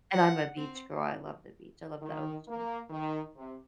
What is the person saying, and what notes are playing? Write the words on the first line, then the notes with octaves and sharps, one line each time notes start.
and I'm a beach girl. I love the beach. I love the ocean.
F#5
C4
D#3
A#3
D#3
C3